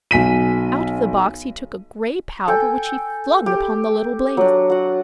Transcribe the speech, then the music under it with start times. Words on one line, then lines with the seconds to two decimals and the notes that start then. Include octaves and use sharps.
Out of the box he took a gray powder, which he flung upon the little blaze.
0.11 B1 G#5 B6 D#7
2.48 A4 G5 G#5
3.46 G4
4.37 F#3 D4
4.70 F#4 F#5